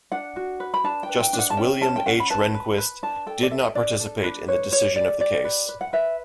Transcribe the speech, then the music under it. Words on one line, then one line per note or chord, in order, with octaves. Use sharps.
Justice William H. Rehnquist did not participate in the decision of the case.
D4 F#5
F#4
B4
B5
D4 A5
G5
B4
G5
D4
F#5
A5
C#4 G5
C#4 A5
G5
C#4 F#5
B5
B4 A5
B4
B4
D4 A5
A4 G5
D5
A4 E5
D4 D5
A4
D4 B4
B4 C#5
G4 C#5
G4 D5
G4 D5
B4
B4
F#5
B4 E5